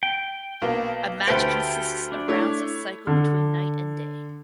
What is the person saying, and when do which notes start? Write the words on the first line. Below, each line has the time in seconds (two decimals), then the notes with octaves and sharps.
A match consists of rounds that cycle between night and day.
0.03 G5
0.62 B1 A#3 B3
1.28 D2 G4 A4 B4 C5 G5
2.12 D4
2.28 A3 E4 C#5
3.07 D3